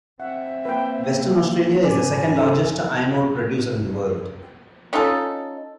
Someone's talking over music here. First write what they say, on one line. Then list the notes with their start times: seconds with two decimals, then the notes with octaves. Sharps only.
Western Australia is the second-largest iron ore producer in the world.
0.20 C4 E5 F#5
0.65 A#3 B4 G5
1.83 G#2 C#3 C#4 D5 G#5
2.35 A4
4.93 C#4 D#4 F4 A4